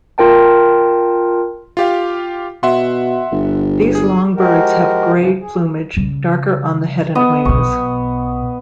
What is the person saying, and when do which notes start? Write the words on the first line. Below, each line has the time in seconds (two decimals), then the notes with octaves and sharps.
These long birds have grey plumage, darker on the head and wings.
0.18 F4 A#4 G5 A5
1.77 F4 G4 F5
2.63 B2 E5 F#5 C6
3.32 G1
3.95 G#4
4.35 F3 G#3 F#4 G4 A#4
5.12 G#2 C#3 E3 F3
5.40 G#4
5.97 C#3 G3
7.15 B3 D#5
7.45 B1 B2 C#6